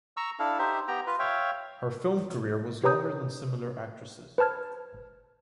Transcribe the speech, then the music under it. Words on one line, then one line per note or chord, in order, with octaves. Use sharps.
Her film career was longer than similar actresses.
A#5 C#6 E6
D4 E4 A4 F5
D#4 G4 C5 E5
B3 G4 G5 A#5
F4 B4
C#5 E5 F5 G5
G4 B4 C#5 A#5 D#6 G6
B4 C5 A5 F6 G#6